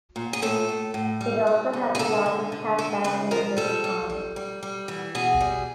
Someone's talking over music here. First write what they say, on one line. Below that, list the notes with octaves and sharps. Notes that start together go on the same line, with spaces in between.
It also had the largest cap badge in the British Army.
A#2
G#4
A2 A4
A2
A2
G3
G3
D3
G#4
D3 A4
D3
D3
G#3 A4
C#3 B4
F3 A#4
G3 A4
G3
G3
G3
G3
E3
B2 G#4
G3